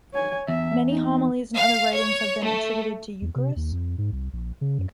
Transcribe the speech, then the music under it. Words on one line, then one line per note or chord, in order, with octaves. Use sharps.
Many homilies and other writings have been attributed to Eucherius.
C#5 G#5
E2 E5
D#4
F5
C#5
A3
E2
C3
D#2
F2
G#2
C2
A#1
C#3
F#2